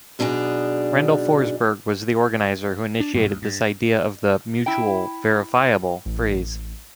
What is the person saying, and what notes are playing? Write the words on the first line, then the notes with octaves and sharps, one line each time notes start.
Randall Forsberg was the organizer who initiated this idea of the "mutual, verifiable" Freeze.
F#2 B2 D4 D#4 G#4
D4
G2 B2 F#3 G#3
D2
G2
E4 G5
A1